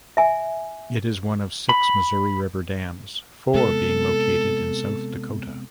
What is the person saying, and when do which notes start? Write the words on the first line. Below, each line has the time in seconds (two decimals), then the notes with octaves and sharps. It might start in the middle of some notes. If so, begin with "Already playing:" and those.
It is one of six Missouri River dams, four being located in South Dakota.
0.17 E5 G#5
1.69 B5
3.54 C3 G#3 B3 A4